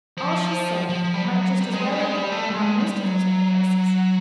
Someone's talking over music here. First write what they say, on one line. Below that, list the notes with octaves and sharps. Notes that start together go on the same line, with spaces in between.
All she said might just as well have been about most of those other places.
F3
F3
G3
F#3
G3
G#3
G3
G#3
G3
A3
G3
G#3
G3
F#3